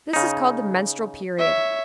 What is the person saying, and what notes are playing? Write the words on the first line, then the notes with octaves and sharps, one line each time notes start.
This is called the menstrual period.
C#3 D#4
C#5 E5